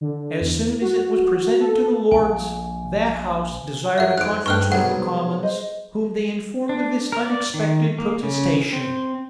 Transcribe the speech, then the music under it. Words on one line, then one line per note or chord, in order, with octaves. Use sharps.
As soon as it was presented to the lords, that house desired a conference with the commons, whom they informed of this unexpected protestation.
D3
E2
F#4
A4
A#1 G#5
F#4 G#4 A#4 E5 F#5
F2 G#2 F4 F#6 D7
G2 D4 G5 C#6 F6 F#6
B1 G#2 C3 F#3 G3 F#5
G#4 C5 D#5
D4
A#4
D5
D#3
A#3
C#3
C4